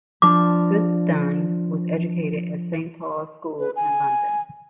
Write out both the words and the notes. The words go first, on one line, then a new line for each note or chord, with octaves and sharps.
Goodstein was educated at Saint Paul's School in London.
F3 D4 D6
B4
G#5